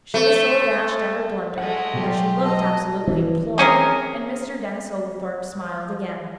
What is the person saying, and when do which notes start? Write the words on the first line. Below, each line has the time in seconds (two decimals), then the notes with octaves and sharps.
She was so abashed at her blunder, that she looked absolutely imploring, and Mr. Denis Oglethorpe smiled again.
0.14 A3
1.58 G#3 A3 F#5
1.93 B2 F#3 F4 G4
2.44 D#5 A5 A#5
3.07 E3
3.58 C4 C#4 G#4 A#4